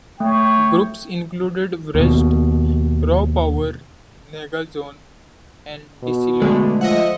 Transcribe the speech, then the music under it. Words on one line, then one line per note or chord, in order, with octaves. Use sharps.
Groups included Wretched, Raw Power, Negazione and Declino.
A3 C#5 G5
D#2 B2
B2
D3 G#3 A3
F3 D#5 E5 F#5